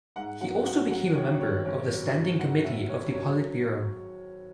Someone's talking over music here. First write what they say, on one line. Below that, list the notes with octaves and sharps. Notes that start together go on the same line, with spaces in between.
He also became a member of the Standing Committee of the Politburo.
G#2 F#5
F#3 F#5
C4 F#5
F#3 F#5
D#3 C#5
C4 C#5
G#1 C#5
F#3
G#1
G#2 F#5
G#1 E5
F#3 C#5
F#3 C#5